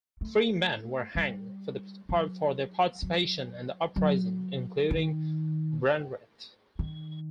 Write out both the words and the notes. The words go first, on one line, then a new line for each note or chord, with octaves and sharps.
Three men were hanged for their participation in the uprising, including Brandreth.
A3
G3
F#3
F#3
F#3
D#3
D#3